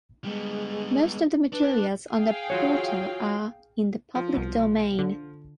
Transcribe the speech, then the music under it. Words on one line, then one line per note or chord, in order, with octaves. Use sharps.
Most of the materials on the portal are in the public domain.
G3 G#3 B3
D4 B4
G#4 F5 G5
F4 F#4 C#5
F3
C2 B2
D3